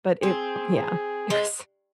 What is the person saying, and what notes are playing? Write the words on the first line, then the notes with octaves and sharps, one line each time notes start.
But it yeah. It was
C4 G#4
G#4
G#3